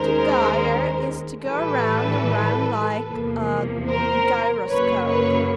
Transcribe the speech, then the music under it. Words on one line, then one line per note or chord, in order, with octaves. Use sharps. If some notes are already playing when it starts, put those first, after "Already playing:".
'To "GYRE" is to go round and round like a gyroscope.
Already playing: D#2 D#3 G#3 C#4 A#4 C5
A2 E3 G3 A4 B4
E2 C3 F3 A#3
A#4 C5
F#2 C#3 F#3 A#3 B4 C#5
B4 C#5